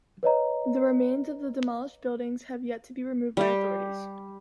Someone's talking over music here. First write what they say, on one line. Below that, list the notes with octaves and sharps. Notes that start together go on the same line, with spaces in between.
The remains of the demolished buildings have yet to be removed by authorities.
B4 C#5 D#5 A#5
G3 G4